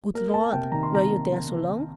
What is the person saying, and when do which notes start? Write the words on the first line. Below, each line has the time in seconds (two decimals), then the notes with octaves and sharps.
"Good Lord--were you there so long?"
0.14 A#3 A#4
0.34 A#3 A5
0.53 C3 G5
0.72 D#3 A#5
0.83 C6
0.91 C3 A#5
1.09 A#3
1.29 C3
1.47 C3
1.67 C3